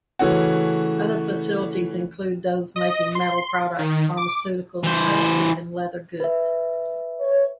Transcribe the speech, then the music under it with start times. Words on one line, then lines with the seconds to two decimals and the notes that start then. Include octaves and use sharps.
Other facilities include those making metal products, pharmaceuticals, plastic and leather goods.
0.19 C#3 E3 A3 C#4 F#4
2.76 D#5
3.15 C6
3.79 D#3
4.17 D6
4.83 E3 C5
6.20 B4 E5
7.21 C#5